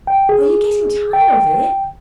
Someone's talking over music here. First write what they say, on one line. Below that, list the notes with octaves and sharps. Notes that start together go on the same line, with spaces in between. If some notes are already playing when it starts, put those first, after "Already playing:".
Are you getting tired of it?'
G5
G#4
G5